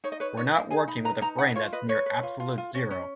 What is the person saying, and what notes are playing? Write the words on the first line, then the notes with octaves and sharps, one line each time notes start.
'We're not working with a brain that's near absolute zero.
D#4 C#5
D#5
B4 C#5
D#4 C#5
D#4 F5
G#4 G#5
D#4 B5
B4 A#5
D#4 A#5
B4 F#5
F4 C#5
B4 D#5
B4 C#5
B4
F4
F4
F4
C#4
C#4